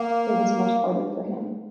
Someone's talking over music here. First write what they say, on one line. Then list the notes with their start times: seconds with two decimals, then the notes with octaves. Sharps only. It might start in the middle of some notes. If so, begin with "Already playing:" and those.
It was much harder for him.
Already playing: A#3